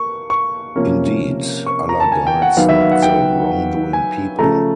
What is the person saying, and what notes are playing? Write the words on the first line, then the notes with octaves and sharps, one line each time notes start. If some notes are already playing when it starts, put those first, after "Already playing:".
Indeed, Allah guides not the wrongdoing people.
Already playing: A#3 C#6
C#6
C3 F3 A#3 C#4
C#6
A#5
A5
G#5
G5
F#5
D#3 F#3 B3 F5
E5
F5
F#5
G5
G#5
C#3 F3 A3 A#5